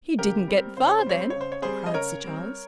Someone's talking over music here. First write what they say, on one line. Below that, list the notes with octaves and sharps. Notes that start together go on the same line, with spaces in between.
"He didn't get far, then!" cried Sir Charles.
C#3 G4 A#4
G3 C4
C#3 C5
C#5
C5
G3 C4 C#5
C5
C#5
C#3 C5
C#5
G3 C4 G#4 C5
D#5
C#3 A#4 C#5
G3 C4